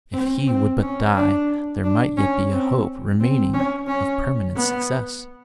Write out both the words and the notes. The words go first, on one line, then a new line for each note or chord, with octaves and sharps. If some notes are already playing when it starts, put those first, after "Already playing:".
If he would but die, there might yet be a hope remaining of permanent success!
C4
C4
C#4
D4
D4
C#4
C4
C4
C#4
C#4
B3